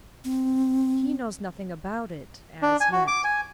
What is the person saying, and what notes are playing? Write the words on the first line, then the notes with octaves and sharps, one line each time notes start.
"He knows nothing about it,--as yet."
C4
D4
G#5
F#4
D6
G#5